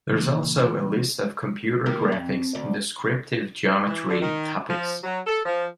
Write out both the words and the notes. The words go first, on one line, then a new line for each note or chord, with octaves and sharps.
There is also a list of computer graphics and descriptive geometry topics.
A#2 C#3 E3 A#3
D#3 G3 A#3
F2
D2 D5
E3
D3
D#3
F3
F#3
A4
F3